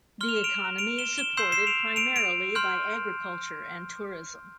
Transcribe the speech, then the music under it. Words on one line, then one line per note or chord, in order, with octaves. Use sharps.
The economy is supported primarily by agriculture and tourism.
C6 F6 G7
F7
E7
D7 F7
D7 F7
E7 G7
E7 G7
C6 E6 G6 C7 E7
C7 E7
D7 F7
D7 F7
D7 F7
C6 F6 G6